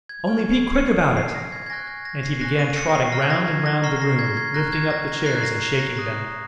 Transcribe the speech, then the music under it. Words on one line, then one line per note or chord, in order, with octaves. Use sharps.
"Only be quick about it!" And he began trotting round and round the room, lifting up the chairs, and shaking them.
G#6
G#5 C#6 F6 G#6
C7
C#7
G#5 C#6 F6 C#7
C7
A#6
G#6
G#6
G#5 C#6 F#6 A#6
G#6
A#6
C7
G#5 C#6 F#6 A#6
D#7
C#7
A#6
C7
A#5 C#6 F6 A#6
G#6
A#6
G#6
A#6
A#5 C#6 F6 C7
C7
A#6
G#6
G#6
A#5 C#6 F#6 A#6
G#6
A#6
G#6
A#5 C#6 F#6 C7
A#6
A#6
A#5 D#6 F#6 A#6